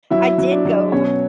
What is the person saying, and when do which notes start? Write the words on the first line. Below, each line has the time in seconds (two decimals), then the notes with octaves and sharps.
I did go
0.10 F#3 E4 E5
0.38 F#3
0.51 D4 D5
0.65 F#3
0.92 B2 C#4 C#5